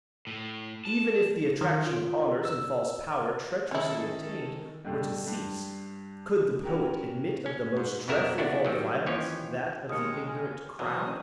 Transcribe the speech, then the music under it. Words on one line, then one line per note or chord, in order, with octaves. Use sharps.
Even if the attraction of honors and false power treacherously obtained were to cease, could the poet admit of the most dreadful of all violence, that of the ignorant crowd?
A2
A5
D#3
F4
E6
D#3 C#4 E4 G#4 A4
G2 B2 D3 G3 A3
G2
C#4 F#4 G4 A#4
C#4
G#2
F2 B2 B3 A#4 E5
D#2 B3 D4 E4 F#4
D#3 F#3 G3
D#2 E3 F3 C#4 C#5
D#2 D#3 G#3 D#6 F6 C#7
G#5 F6
B2 E3 F#3 C4 D#6